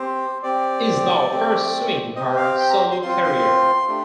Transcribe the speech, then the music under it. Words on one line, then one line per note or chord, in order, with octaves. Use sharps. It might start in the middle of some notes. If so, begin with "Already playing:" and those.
Is now pursuing her solo career.
Already playing: C4 G4 C5
C4 G4 D5
A3 C4 G4
C4 G4 D#5
F5
G5
A#5
C6
C4 F4 C6
C6
A3 D4 G4